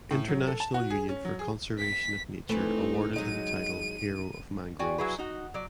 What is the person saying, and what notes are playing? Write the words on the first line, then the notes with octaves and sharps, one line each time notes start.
International Union for Conservation of Nature awarded him title Hero of mangroves.
A2
F#3
A4
A5
F#4
G#4
C#4
F#3
G#4
B6
E3 A3 C4 D#4 B4
F#3 G#3 D#4 D#7
F#4 D5 G5 G#5
F#3 E4 F#4 G#4 B4
D#4 F#4
F#3 D5